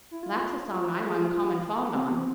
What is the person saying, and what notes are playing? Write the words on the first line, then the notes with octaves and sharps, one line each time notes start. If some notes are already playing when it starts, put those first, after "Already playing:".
"That's a song I'm uncommon fond on."
E4
F4
G#4
F4
F4
F4
C4
B3
C4